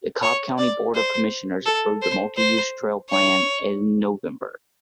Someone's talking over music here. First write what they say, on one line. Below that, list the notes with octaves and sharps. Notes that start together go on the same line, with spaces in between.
The Cobb County Board of Commissioners approved the multi-use trail plan in November.
C#5
D5
C5
A4
C5
C5
C#5